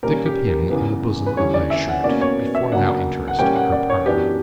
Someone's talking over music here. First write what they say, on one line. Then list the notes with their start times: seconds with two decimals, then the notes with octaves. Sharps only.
Stick a pin in the bosom of thy shirt, before thou enterest her parlour.
0.03 A#2 G3 A#3 C#4 A#4
0.25 G4
0.47 A#4
0.70 E2 C#3 E3 B3
1.26 B4
1.37 E2 D3 G3 C#4 C#5
1.54 D5
1.70 E5
1.88 F#5
2.04 B2 A#3 C#4 D5
2.21 C#5
2.55 E5
2.72 C#3 F#3 A#3 D4 F#5
3.28 F#5
3.39 A#2 G3 A#3 C#4 G5
3.56 F#5
3.72 D5
3.90 C#5
4.06 F#2 E3 B3 D4 G4